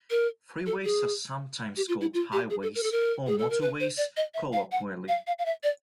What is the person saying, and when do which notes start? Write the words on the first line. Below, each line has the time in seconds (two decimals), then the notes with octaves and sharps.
Freeways are sometimes called highways or motorways colloquially.
0.10 A#4
0.66 A4
0.85 G#4
1.77 G4
1.89 F4
2.01 E4
2.14 F4
2.33 G4
2.50 G#4
2.62 A4
2.75 A#4
2.83 A4
2.92 A#4
3.27 G#4
3.38 A4
3.50 A#4
3.61 B4
3.80 C5
3.97 D5
4.17 D#5
4.34 E5
4.53 F5
4.72 F#5
5.08 F5
5.27 F5
5.39 F5
5.46 E5
5.63 D5